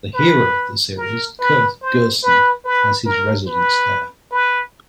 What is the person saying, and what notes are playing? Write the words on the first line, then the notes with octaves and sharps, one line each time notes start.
The hero of the series, Kirth Gersen, has his residence there.
B4
A#4
B4
C5
B4
B4
A#4
B4
B4